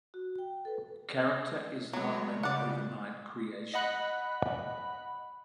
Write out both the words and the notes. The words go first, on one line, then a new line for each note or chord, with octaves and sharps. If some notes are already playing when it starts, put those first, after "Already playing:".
Character is not an overnight creation.
F#4
G5
A4 B4
F#3 G#3 A3 B3 C#5
C#3 G3 D5 F#5
D#5 F#5 B5 F#6